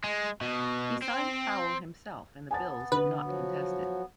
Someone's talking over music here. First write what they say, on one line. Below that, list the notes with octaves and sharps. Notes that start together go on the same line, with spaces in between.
He signed Powell himself, and the Bills did not contest it.
G#3
B2
C4
B3 G#5 A5 A6
D3 B4
F3 F#3 F#4